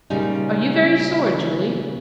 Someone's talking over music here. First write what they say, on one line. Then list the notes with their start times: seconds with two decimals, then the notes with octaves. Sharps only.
"Are you very sore, Julie?"
0.10 A#2 C#3 G3 D#4